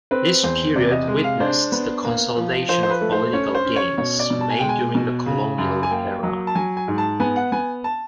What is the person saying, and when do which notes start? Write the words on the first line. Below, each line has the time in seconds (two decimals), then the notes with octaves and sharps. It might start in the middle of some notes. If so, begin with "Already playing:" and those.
This period witnessed the consolidation of political gains made during the colonial era.
0.11 C4 B4
0.43 E2 C5
0.76 C3 D5
0.91 D#5
1.08 G#3
1.24 F5
1.40 D4 C5
1.72 B3
2.04 A#3
2.37 F3
2.69 F3 C5
2.83 C5
2.90 B4
3.01 A3
3.12 C5
3.33 C#4 C#5
3.54 C5
3.65 C#4
3.76 C#5
3.98 B2 C#5
4.19 D5
4.30 B2
4.41 A5
4.50 G#5
4.59 G#3 G5
4.69 G#5
4.95 B2
5.26 C#3
5.58 F#2
5.83 G#5
5.91 A#3 G5
6.23 F#3
6.47 A5
6.55 F#3 G#5
6.77 G#5
6.88 G#2
6.98 A5
7.20 B3 G#5
7.36 F#5
7.52 B3 G#5
7.84 A5